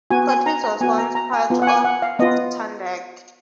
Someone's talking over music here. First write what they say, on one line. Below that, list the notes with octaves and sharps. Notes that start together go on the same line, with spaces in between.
Cortes was once part of Tandag.
B3 F#4 G#5
G#5
A#5
A#5
B3 F#4 G#5
A#5
A#5
G#5
B3 F4
F#5
G#5
F#5
F5
B3 F4 D#5